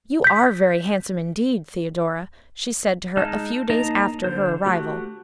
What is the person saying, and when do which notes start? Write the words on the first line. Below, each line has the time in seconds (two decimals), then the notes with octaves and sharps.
"You are very handsome, indeed, Theodora," she said to her a few days after her arrival.
0.24 G6 B6
3.17 G#3 D#4 D#5 A5 F6
3.70 A#3 D#4 D#5 A5 A#5
4.24 D3 C5
4.66 A3 F#4 G4